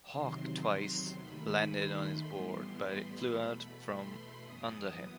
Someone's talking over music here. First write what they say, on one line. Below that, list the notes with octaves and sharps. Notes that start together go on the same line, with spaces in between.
Hawk twice landed on his board, but it flew out from under him.
E2 C3 D#3 F#3 C6
D#2 D#3 A3 B5
C6
A2 E3 G3 B3 C6
B5
E2 B2 A3
C6
F#2 E3 B3 D#6